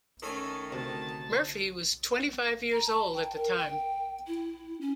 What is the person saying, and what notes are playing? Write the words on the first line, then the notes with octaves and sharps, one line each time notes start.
Murphy was twenty-five years old at the time.
D#3 A3 C#4 A4 C#5 G#5
D2 C3 A5
A#5
A5
G5
A#4
G5
E4
C#4